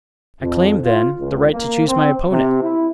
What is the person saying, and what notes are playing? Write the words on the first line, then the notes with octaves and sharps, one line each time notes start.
I claim, then, the right to choose my opponent.
F2
F4
C#2
A#3
C4
C3
E4